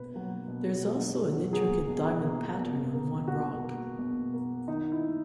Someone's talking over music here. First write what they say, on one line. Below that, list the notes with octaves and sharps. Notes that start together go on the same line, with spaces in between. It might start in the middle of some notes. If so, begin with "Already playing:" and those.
There also is an intricate diamond pattern on one rock.
Already playing: B2 A#3 B4
F#3 A#3
B2
F#3 A#3
B2
F#3 A#3 G#4
B2
A#3
B2
A#3
B2 F#4
A#3
B2
A#3
D#3 D#4
E4
A#3